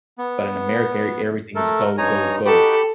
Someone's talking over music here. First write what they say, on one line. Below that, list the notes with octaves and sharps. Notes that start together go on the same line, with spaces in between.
But in America, er everything is a go, go, go.
B3
A3 A4 A#4
G2 D#4 C#5 G#5 A#5
D#4 F#4 G4 A4 G5 B5